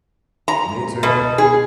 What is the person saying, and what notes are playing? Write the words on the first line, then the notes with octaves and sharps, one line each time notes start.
me too.
A#5
B2
G#4